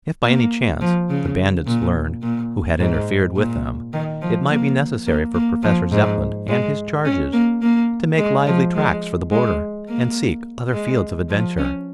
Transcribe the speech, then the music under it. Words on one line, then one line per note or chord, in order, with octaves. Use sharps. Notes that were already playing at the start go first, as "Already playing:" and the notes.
If, by any chance, the bandits learned who had interfered with them, it might be necessary for Professor Zepplin and his charges to make lively tracks for the border and seek other fields of adventure.
A#3
F3
C#3
A#2
A#2
G#2
A#2
D#3
F3
A#3
A#3
A#3
F3
G#2
G#3
C#4
A#3
A#3
G#3
F3
G#3
G#3
A#3
G#3
F3
C#4